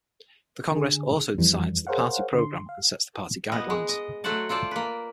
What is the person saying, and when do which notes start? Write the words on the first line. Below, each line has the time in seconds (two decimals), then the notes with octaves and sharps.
The congress also decides the party program and sets the party guidelines.
0.72 D3 G#4
1.38 F2 E3 G3
1.87 G#4 A#4 C5 C#5 F5 F#5
2.34 D3 C6
2.69 F5
3.52 A#2 B3 D#5
3.70 G#3
3.89 D#5
4.24 F#3 A3 F#4 C5 F#5 A5
4.49 F4 A4 C5 D5
4.71 A#3 B4